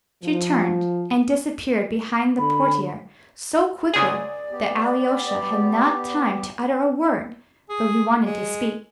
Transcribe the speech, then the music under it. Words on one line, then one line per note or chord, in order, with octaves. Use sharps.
She turned and disappeared behind the portiere so quickly that Alyosha had not time to utter a word, though he wanted to speak.
F3
D3 B5
C#2 G#4 D5
B3 G4
G#4
G#3